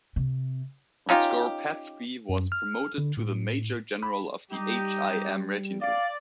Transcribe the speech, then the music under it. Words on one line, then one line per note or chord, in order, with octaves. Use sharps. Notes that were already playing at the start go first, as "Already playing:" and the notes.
On Skoropadsky was promoted to the Major General of the H. I. M. Retinue.
C3
C#4 D#4 F4 G4
F#2
F6
D3
A2
B5
G3 D#4 G4
D5 F5